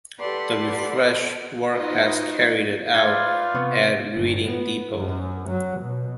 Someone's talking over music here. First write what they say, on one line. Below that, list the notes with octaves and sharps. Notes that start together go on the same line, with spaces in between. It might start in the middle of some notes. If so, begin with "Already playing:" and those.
The refresh work was carried out at Reading Depot.
G4 A4 B4 D5 F#5 C6
D#4 F4 F#4 B4 C5 D#5
F4 B4 D5 F5 G6 G#6 D#7
C3 B3 C#6
G1
B3
F#2
F#3
B2